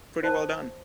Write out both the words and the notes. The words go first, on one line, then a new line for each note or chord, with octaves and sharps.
Pretty well done!
C5 D5 A5